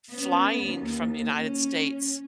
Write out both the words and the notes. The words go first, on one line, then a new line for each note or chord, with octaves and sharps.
flying from the United States
B3 C#4
D#2
C#4